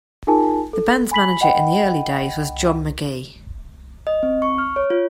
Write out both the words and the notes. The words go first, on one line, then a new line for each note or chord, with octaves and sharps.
The band's manager in the early days was John MacGee.
D#4 F4 G#4 A#4 G#5 A5
A4
G#5 B5 B6 F#7
D#5 F#5 G5 B5
D#5
C4
C#6
F6
C#5
F4